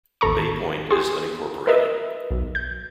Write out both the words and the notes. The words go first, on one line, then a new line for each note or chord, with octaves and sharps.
Bay Point is unincorporated.
A1 D#2 A4 A#5 C#6
G4 G#4 C6
A#4 B4 D#5 E5
B1
G6